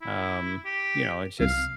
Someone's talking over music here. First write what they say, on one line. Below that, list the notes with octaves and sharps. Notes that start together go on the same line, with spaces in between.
um, you know, it's just,
E4
G4
C2 F5